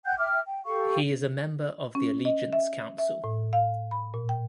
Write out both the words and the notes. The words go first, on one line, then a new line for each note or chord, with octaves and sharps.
He is a member of the Allegiance Council.
F#5 G5 F#6 G6
E5 G5 D6 F6
G5
G4 A4 F5 C#6
C#4
D#5
E5
E5
A2
F5
B5
A#2
G5